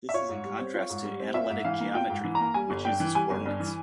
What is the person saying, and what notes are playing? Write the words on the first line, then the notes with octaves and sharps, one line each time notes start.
This is in contrast to analytic geometry, which uses coordinates.
E5
F4 C#5
G#2
G3
C4
F4
G#2
G3
C4
F4 E5
G#2
E3 F5
A#3
F4 G5
G#2
E3
A#5
A#3
G3 G#5
G1
G2 G5
E3
G3 G#5
G1
G2
E3